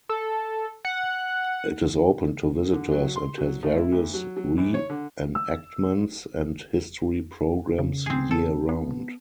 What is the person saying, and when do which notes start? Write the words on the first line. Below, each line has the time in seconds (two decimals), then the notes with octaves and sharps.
It is open to visitors and has various re-enactments and history programs year round.
0.09 A4
0.85 F#5
2.73 D3
2.92 F#3
3.16 C6
3.38 F#3
3.63 A2
3.76 E4
3.92 D2
4.14 F#3
4.37 F#3
4.57 A#1
4.74 C#5
4.90 D3
5.35 E6
7.79 C#3
8.06 C4 G#4
8.31 A4
8.69 B3